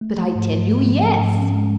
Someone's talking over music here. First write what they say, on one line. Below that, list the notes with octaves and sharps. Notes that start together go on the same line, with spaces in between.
"But I tell you yes."
A3
F3
G#2
G#2
A3
F3
F3
G#2
C#4
G#3